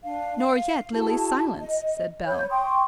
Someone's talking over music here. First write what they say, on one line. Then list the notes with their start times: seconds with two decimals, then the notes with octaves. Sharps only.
"Nor yet Lily's silence," said Bell.
0.03 D4 F5
0.38 F5
0.93 E4 F#4 G#4 A5
1.61 D#5
2.26 C#5 B5 G6
2.50 G5 C6 C#6 D#6